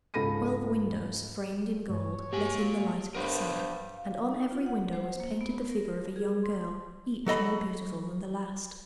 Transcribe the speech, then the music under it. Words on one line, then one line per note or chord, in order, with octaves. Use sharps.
Twelve windows framed in gold let in the light of the sun, and on every window was painted the figure of a young girl, each more beautiful than the last.
C#2 G#2 A4 B5 A#6 D#7
G2 C#5
A#3 G4 G#5
G2 B3 A#4 C5 C#5
F5
F5
D#4
F4
F#5
C5
A#3
B3
A#4
G#4
C6
F#3 A4 D#5 B5